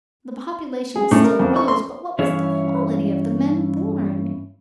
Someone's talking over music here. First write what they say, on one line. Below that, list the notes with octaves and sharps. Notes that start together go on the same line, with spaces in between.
The population still rose, but what was the quality of the men born?
G#4
A2
A#4
F2
C#6
C6
G2 E3 C#4 E4 C#5 F5